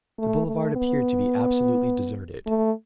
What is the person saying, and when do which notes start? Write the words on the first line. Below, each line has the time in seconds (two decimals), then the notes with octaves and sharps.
The boulevard appeared to be absolutely deserted.
0.18 A3
0.46 A3
0.75 B3
2.46 A3